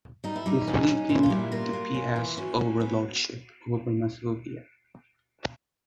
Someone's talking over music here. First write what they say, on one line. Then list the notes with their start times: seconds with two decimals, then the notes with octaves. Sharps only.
This weakened the Piast overlordship over Masovia.
0.24 G3 D#4
0.36 E4
0.46 G3 D#4
0.67 C#4
0.88 C#4
1.09 A#2 E4
1.23 F4
1.30 G3 E4
1.52 A#3 F4
1.73 A#3
1.94 C#4
2.16 E3
2.37 C#4 F#4
2.59 C#4
2.80 B3